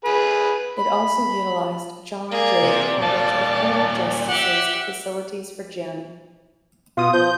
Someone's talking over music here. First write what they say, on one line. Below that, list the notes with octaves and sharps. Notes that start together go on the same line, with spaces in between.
It also utilized John Jay College of Criminal Justice's facilities for gym.
G#4 B4
B5
A#3 G#4 D5
C3
A#2 G3 F5 A5
G4 E5 F#5
B2 F4 D#6
F3 G6